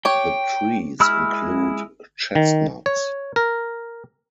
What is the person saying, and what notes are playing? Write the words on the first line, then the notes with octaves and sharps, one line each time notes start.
The trees include chestnuts.
G4 C#5 G5
G#3 E4 B5 E6 F6
D#3
C#5
A#4